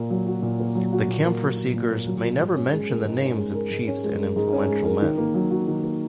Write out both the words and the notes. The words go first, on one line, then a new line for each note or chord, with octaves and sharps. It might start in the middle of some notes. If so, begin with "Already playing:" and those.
The camphor-seekers may never mention the names of chiefs and influential men.
Already playing: A#2 A#3
F#3
F#4
A#2
A#3
F#3
F#4
A#2
A#3
F#3
F#4
A#2
A#3
F#3
F#4
G#2
C#4
G#3
A#4
G#2
C#4
G#3
A#4
G#2
C#4
G#3
A#4
G#2
C#4
G#3
A#4
D#3
A#3
F#3
F#4
D#3
A#3